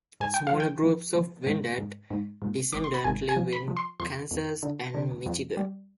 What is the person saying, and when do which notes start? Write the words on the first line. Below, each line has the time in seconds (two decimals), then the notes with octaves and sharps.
Smaller groups of Wendat descendants live in Kansas and Michigan.
0.20 G#2 G#5
0.34 G5
0.47 F5
0.53 F3
0.60 G5
0.84 F3
1.15 F3
1.47 G#2
1.78 G#2
2.10 G#2
2.42 G#2
2.72 G#1 D6
2.84 C6
2.94 B5
3.04 G#1 G#5
3.29 G#5
3.36 F3
3.53 B5
3.68 F3
3.77 C6
4.00 F2 C6
4.31 F2
4.63 D3
4.94 D3
5.26 F2
5.57 G3